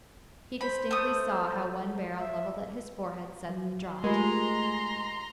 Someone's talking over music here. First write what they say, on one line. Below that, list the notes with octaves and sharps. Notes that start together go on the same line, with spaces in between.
He distinctly saw how one barrel levelled at his forehead suddenly dropped.
C5 B5
A3 D#6
E5
F#3
G#3 A3 F4 G4 A#4 A#5 C6